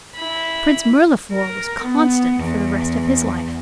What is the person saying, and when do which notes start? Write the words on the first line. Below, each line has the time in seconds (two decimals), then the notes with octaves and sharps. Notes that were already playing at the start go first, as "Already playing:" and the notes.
Prince Mirliflor was constant for the rest of his life.
0.16 E4 B5
1.33 A#4
1.82 B3
2.39 E2